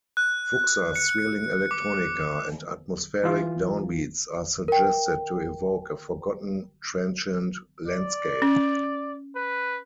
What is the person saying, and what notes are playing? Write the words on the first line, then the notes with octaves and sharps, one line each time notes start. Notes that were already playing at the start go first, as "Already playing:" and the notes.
Fuxa's swirling electronica and atmospheric downbeats are suggested to evoke a forgotten transient landscape.
F#6
C#7
D6
E3 F4
A#4 G5
D5
C#4
B4